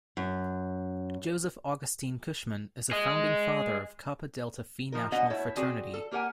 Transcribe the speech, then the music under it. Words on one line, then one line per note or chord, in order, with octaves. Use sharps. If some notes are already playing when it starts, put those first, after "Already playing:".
Joseph Augustine Cushman is a founding father of Kappa Delta Phi National Fraternity.
F#2
G#4 D#5
F3 D#4 A#4
B2 B3 D4 F#4 D#5 F#5
B2 A3 E4 C#5 E5
C4 F#4 G#4 D5 G#5
A4
A#3 G4 A#4 F#5 G#5